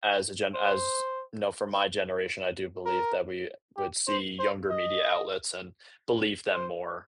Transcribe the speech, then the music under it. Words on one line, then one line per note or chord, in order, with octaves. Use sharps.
as a gen as no, for my generation, I do believe that we would see younger media outlets and believe them more.
C5
A#4
G4
C5
C5
D#5
C5